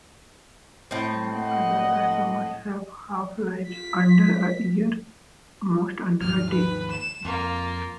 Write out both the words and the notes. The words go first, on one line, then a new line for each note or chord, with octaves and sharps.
All other isomers have half-lives under a year, most under a day.
A2 C4
D#5 F#5
F4 B6
D#2 G#2 F3 F6
B4
E7
F2 A#3 F4